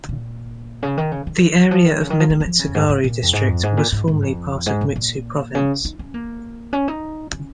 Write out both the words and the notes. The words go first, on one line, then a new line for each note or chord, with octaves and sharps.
The area of Minamitsugaru District was formerly part of Mutsu Province.
A#2
C#3
D#3
C#3
D#3
F3
D#3
C#3
D#3
F3
G#3
G#3
F3
C#3
F2
G#2
G#2
A#2
F2
G#2
F2
G#2
A#2
G#2
G#2
F2
G#2
A#2
A#2
C#3
D#4
C#4
A#3
C#4
D#4
C#4